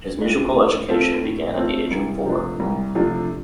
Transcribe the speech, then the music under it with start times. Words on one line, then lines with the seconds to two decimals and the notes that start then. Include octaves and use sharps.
His musical education began at the age of four.
0.18 A2 A3 D4 F4
0.53 A2
0.88 A3 C4 F4 A4
1.22 A2
1.56 A3 C4 F4 A4
1.91 C2
2.26 C3 F3 A3 D4
2.60 C2
2.95 C3 F3 A3 D4